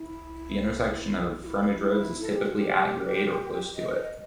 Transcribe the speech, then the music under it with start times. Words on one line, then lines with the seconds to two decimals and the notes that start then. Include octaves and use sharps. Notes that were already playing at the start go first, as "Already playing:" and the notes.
The intersection of the frontage roads is typically at grade or close to it.
Already playing: E4
1.43 F#4
1.46 E4
1.82 E4
2.21 A4
2.33 G4
2.46 F#4
2.58 G4
3.76 D#5